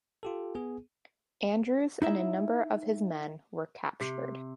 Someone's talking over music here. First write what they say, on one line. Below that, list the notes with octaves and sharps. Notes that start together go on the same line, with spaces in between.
Andrews and a number of his men were captured.
F4 G4 A4
B3 G#4
D#4 E4 E5
C3